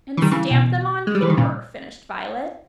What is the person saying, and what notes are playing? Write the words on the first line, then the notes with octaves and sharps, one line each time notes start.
"And stamp them on paper!" finished Violet.
E3
D#3 G3
C#3 E3
B2
G#3
G3
E3
D#3
A#2 C#3